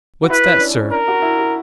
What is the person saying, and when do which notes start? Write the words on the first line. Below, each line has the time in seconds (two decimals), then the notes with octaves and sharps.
"What's that, sir?"
0.23 F#4
0.30 E4 B4
0.45 E4
0.54 C#4
0.60 D4
0.71 C#4
0.81 C#4
0.91 D4 A#4
1.08 F#4
1.22 E4
1.39 F#4